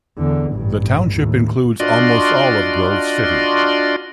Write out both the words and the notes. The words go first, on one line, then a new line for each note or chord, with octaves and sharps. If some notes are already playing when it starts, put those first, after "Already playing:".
The township includes almost all of Grove City.
E2 D3
A1 G2
D#2 A2
D4 F4 F#4 D5 D#5 C6